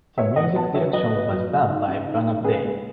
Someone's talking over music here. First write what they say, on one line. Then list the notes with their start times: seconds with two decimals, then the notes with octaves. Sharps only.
The music direction was done by Pranab Dey.
0.18 B3 C#5 E5
0.36 B3 D#5 F#5
0.55 B3 F#5 A5
0.74 F#3 C#5 E5
0.93 F#3 B4 D#5
1.12 B3
1.31 F#3
1.50 F#3
1.69 D#4
1.88 C#3
2.07 D#4
2.26 D#4
2.44 C#3 G#4 B4
2.64 G#3